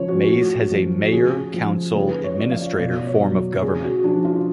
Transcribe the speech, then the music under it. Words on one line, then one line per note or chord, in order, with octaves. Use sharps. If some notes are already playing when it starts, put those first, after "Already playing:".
Maize has a mayor-council-administrator form of government.
Already playing: C#3 F3 C#4 C#5
F#4
A2 F#4
F3
F#4
C#3 G#4
F3
C#3 B4
C#5
F3 D5
F5
B2 D5
C#5
F#3
C#3 G#4
F#4
F3 D4
F4